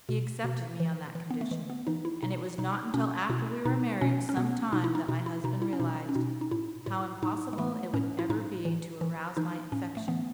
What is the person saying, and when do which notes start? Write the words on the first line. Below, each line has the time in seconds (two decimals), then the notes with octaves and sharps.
He accepted me on that condition, and it was not until after we were married some time that my husband realized how impossible it would ever be to arouse my affection.
0.09 B2
0.44 B2
0.80 E3
1.15 E3
1.30 B3
1.41 A3
1.51 E3 G#3
1.70 B3
1.87 E3 D#4
2.05 E4
2.23 B2 D#4
2.58 B2 D#4
2.94 B2 C#4
3.29 B2 E4
3.65 B2 D#4
4.01 B2 C#4
4.29 C#4
4.37 B2 B3
4.73 B2 D#4
4.84 E4
4.95 D#4
5.08 B2 D#4
5.26 E4
5.44 B2 D#4
5.62 E4
5.73 C#4
5.80 B2 D#4
6.09 C#4
6.15 B2 D#4
6.41 D#4
6.51 A2 E4
6.86 A2 E4
7.22 A2 D#4
7.53 G#3
7.58 E3 A3
7.94 A2 C#4
8.19 E4
8.29 A2 D#4
8.65 E3
9.01 E3
9.37 E3 D#4
9.72 A2 C#4
9.97 A3
10.08 E3 B3